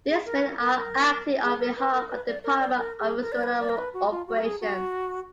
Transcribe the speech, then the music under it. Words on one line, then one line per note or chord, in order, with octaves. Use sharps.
These men are acting on behalf of the Department of Extranormal Operations.
G#4
A#4
B4
A#4
A#4
A#4
G#4
A#4
B4
A#4
B4
D5
A#4
D5
A#4
G#4
A#4
D5
B4
D5
A#4
B4
F#4
F4
F#4
A#4
G#4
F#4